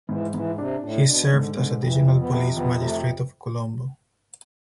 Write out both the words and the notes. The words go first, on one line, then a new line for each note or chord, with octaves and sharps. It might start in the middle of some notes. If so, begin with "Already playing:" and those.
He served as additional police magistrate of Colombo.
G#2 E3
G#2 E3
C3 D4
A2 D4
B2 D4
G#2 D3
G#2 D3
F2 E3
F2
B3
C3
F2 B3
C3 A3